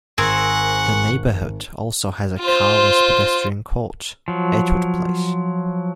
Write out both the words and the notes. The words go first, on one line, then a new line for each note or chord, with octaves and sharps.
The neighborhood also has a carless pedestrian court, Edgewood Place.
G#1 C4 G#4 A#4 F#5 C#6
F4 C5
F3 F#3